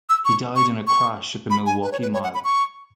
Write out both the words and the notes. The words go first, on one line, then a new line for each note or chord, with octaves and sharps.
He died in a crash at the Milwaukee Mile.
E6
C#6
C#6
C#6
B5
G#5
B4
C#5
B4
C#5
F#5
B5
C#6